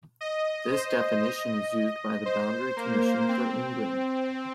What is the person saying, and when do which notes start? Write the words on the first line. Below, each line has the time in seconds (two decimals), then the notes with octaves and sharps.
This definition is used by the Boundary Commission for England.
0.21 D#5
0.72 C5
1.23 D#5
2.26 C5
2.77 A#3
3.29 C4